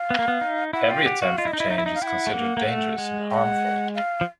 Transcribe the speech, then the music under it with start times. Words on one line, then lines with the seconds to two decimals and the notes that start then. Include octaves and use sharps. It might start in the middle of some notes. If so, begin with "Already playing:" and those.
Every attempt for change is considered dangerous and harmful.
Already playing: F5
0.10 B3
0.19 A#3
0.28 B3
0.41 D#4
0.73 E4 F#5
0.90 F4 G5
1.06 G4 F#5
1.22 F#4 F5
1.38 F4 D#5
1.45 E4
1.53 D#4
1.60 E4
1.70 D#4 E5
1.78 E4
1.86 D#4
1.95 F5
2.02 E4 G5
2.07 F#5
2.27 A3
2.34 A#3
2.57 A#3
2.66 A3
2.98 G#3
3.30 G5
3.34 F#5
3.95 F5
4.21 F3